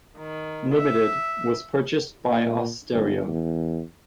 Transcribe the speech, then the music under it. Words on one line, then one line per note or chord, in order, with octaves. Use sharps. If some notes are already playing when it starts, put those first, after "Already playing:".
Limited, was purchased by Austereo.
D#3
E5
A#2
G1
E2